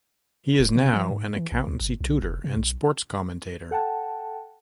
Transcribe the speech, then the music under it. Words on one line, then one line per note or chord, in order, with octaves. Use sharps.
He is now an accountancy tutor and sports commentator.
D#1
C3
F3
G#2
E3
A1
D2
G1
B1
F1
C3
B1
A4 F#5 G5 A5